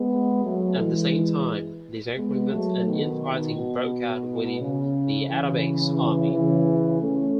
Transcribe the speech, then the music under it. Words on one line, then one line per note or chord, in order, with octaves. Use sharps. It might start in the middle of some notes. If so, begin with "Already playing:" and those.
At the same time, disagreements and infighting broke out within the Atabeg's army.
Already playing: G#3 B3
F#3 A3
E3 G#3
G#3 B3
F#3 A3
B2 D#3
B2
C#3
C#3 E3
C#3 E3
A3 C#4